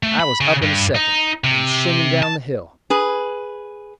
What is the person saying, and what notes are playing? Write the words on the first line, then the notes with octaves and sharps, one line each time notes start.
I was up in a second and shinning down the hill.
A3
B5
C#3
G2
D#4
C3
A5
G#4 B4